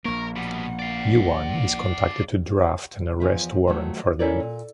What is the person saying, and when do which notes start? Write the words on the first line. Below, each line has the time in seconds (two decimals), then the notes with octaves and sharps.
Yuan is contacted to draft an arrest warrant for them.
0.05 A#1 A#3 A#4 C#6
0.36 B2 G3 F#5
0.79 D5 F5
3.20 E2 F3 E5
3.67 D#3 F3 F#3 A3
4.19 C#4 E4 A4 A#4 C#5 D5
4.40 A#2